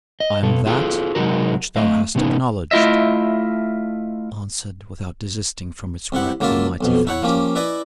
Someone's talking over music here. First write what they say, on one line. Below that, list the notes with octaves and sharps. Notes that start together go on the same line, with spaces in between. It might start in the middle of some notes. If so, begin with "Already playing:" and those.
'I am That which thou hast acknowledged,' answered, without desisting from its work, the mighty phantom.
D#5
B2 A4
F4 G#4 A4 F5
C3 F#3 G#3 D#4 F#4 A#4
A3 D#5 F5
A2 C3 B3 C#4 D#4
A3 E4 F4 D#5 E5
C2 C3 E4 F#5
C#2 F#3 A#3 F4 E5 A5
B1 F2 B2
E4 C#5 F#5
F3 A#3 C#4 G4
E4 B4 D5 D#5 G#5 D#6